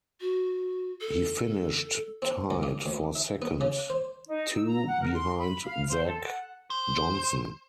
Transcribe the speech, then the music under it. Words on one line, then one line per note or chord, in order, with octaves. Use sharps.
He finished tied for second, two behind Zach Johnson.
F#4
A4
C4
C#2
G2
D2
E5
B3
C#3
C5
D#4
E6
A#5
F#5
A#4
C6
B5
F5
C5
A4
F#5
C5